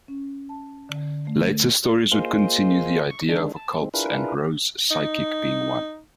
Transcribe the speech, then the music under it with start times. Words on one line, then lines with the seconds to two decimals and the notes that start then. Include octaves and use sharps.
Later stories would continue the idea of Occult and Rose Psychic being one.
0.08 C#4
0.49 A5
0.89 D3
1.27 A3
2.12 A#3 F4 G#4 C5 D#5
3.10 C#6
3.29 D3 D#3 G#3 D4
3.56 A5
3.81 D#3 G#3 C4
3.94 D4 E4 F4 G#4 A#4 B4
4.91 D#4